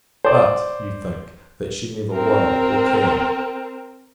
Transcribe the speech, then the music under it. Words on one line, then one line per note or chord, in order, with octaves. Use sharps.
But, you think, that she never will, or can.
C5 D5
C4 A#4